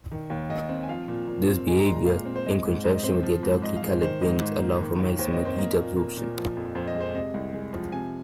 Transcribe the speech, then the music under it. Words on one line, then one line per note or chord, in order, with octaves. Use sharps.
This behavior, in conjunction with their darkly-colored wings, allow for maximum heat absorption.
D#3
D#2
D#2 D#5
C4
G#5
F3 F5
A#2
A#2
C4
G#3 G#5
A#5
A#2 C6
A#5
A#2 F5
C4
C5
G#3 D#5
G#2
G#2 C5
D#5
C4 C5
F3
G#2
G#2 D#5
F5
G#3
C5
D#3 C5
G#2 D#5
G#2
A#3
D#3
D#2
D#2 C5
D#5
C4
C5
A#3 D#5
A#2
A#3
A#2
F3
F2
F2 C5
D#5
G#3
C5
C3 D#5
C2
G#3
F3
C3 G#5